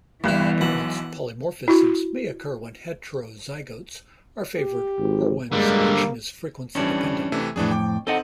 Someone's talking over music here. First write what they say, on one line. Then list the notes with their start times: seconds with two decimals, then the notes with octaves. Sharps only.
Balanced polymorphisms may occur when heterozygotes are favored or when selection is frequency dependent.
0.24 G1 C2 G2 E3 B3 E4 F#6
0.61 B1 F#5
1.68 E4 F#4
4.58 G4
4.98 G#1
5.52 D3 G3 G#3 A#3
6.75 F2 E3 G3 C#4 D4
7.32 C3 E3 A3
7.56 F2 A2 E3 D4 G#4
7.71 G5 D6
8.07 C4 D#4 A4 D#5 F#5